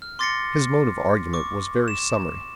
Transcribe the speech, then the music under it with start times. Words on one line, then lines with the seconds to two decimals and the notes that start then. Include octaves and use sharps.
His mode of argument was very summary.
0.02 F6
0.19 C6 D6 A6 A#6 C7 C#7
1.33 C#6 D6
1.88 E7